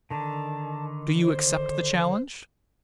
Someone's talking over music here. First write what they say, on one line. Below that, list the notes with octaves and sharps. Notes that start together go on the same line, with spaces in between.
Do you accept the challenge?
D3 D#3 A5
C5